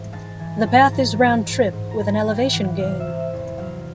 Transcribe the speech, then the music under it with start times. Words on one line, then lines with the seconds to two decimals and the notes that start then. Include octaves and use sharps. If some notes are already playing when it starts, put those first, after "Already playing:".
The path is round trip, with a elevation gain.
Already playing: G#2 E3
0.12 G#3 A5
0.39 E3 G#5
0.66 G#2 A5
0.92 E3 A#5
1.20 G#2
1.46 G#2
1.73 G#2
1.91 A#5
1.99 G#2 B5
2.26 E3 G5
2.53 E3 F#5
2.80 C3 F5
3.00 E5
3.06 C3
3.20 E5
3.33 E2
3.59 F#3 F5